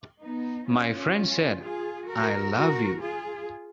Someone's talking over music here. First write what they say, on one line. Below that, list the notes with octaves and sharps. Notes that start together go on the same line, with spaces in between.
My friend said: "I love you."
B3 D#4
C#4 F4
F4 G#4
F#4 A#4
F#4 A#4
F4 G#4